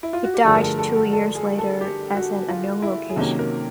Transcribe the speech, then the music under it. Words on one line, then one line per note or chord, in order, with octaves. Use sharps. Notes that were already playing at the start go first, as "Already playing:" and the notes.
He died two years later at an unknown location.
E4
F4
F#4
G4
G2 D3 F3 A3 G#4
A#4
A4
A4
A4
A4
G#4
A4
G4
F#4
F4
E4
G#4
C3 D#3 F#3 A#3 C#4 A4
A#4